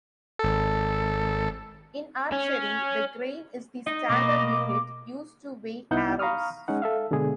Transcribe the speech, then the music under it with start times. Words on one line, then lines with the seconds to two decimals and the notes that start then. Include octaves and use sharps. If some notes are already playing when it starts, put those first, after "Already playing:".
In archery, the grain is the standard unit used to weigh arrows.
0.39 G#1 A4
2.32 C#4
3.87 D#4 D#5
4.09 B2 A#3 D6
5.91 C2 B3 D#4 E4 F#5 G6
6.19 F5 A#5 B5 C#6 D#6 F6
6.68 G#3 C#4 D#4 F#5
6.82 A4 E5 F5
7.11 B2 D3 G#3 B3 G#4